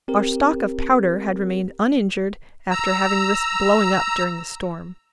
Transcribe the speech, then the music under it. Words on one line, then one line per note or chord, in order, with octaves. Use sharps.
Our stock of powder had remained uninjured after having risked blowing up during the storm.
C4 G4 A#4
A#5 E6